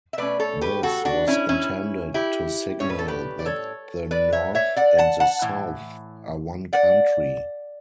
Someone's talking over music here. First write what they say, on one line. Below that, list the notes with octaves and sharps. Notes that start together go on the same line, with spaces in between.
This was intended to signal that the North and the South are one country.
E5
B2 A3 C#4 B4 D5
A4 C#5
G4 B4
F#4 A4
D4 F#4
C#4 E4
C#4 E4
E4 G4
A2 G3 C#4 C#5
B4
A4
G4 B4
D5
A4 C#5
B4 D5
C#5 E5
C#5 E5
D5 F#5
F#5 A5
F#5 A5
A2 E3
D5 F#5